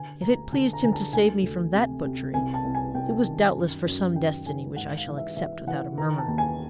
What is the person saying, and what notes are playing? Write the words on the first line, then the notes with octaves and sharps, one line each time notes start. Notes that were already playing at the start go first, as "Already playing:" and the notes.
If it pleased him to save me from that butchery, it was doubtless for some destiny which I shall accept without a murmur.
Already playing: D3 G#5
D2 A#5
D3 A5
A#5
D3 G#5
A5
D2 G#5
D2
C3
C3
C2 G#5
A5
C2
G#5
C2 G5
D#3
F#2
F#2
D#3 G5
D#3 G#5
G#2 F#5
F5
E3
E5
E3 E5
E3 F#5
D#3 A#5
A5
D#2
G#5